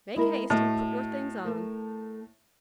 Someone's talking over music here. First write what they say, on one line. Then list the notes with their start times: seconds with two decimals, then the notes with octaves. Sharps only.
Make haste and put your things on.'
0.16 G#3 E4 A#4
0.50 A2 F#4 D#5
1.45 A3 A#4